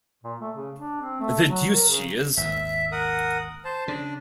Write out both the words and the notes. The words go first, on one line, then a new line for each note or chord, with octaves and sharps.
The deuce she is!
A#2
A3
C#3
D4
C4
A3
F#3
A#4
C#3
G#1 D#2 E5
A#4 F#5 D#6
C5 A5
C#3 D4